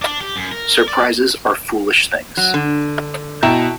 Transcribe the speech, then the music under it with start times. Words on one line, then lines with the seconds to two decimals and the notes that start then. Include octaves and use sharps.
Surprises are foolish things.
0.02 D4
0.21 G4
0.36 F#2
0.52 A#4
0.88 D5
2.37 F#3
2.54 D3
3.43 B2 E4 E5 G5 A5 A#5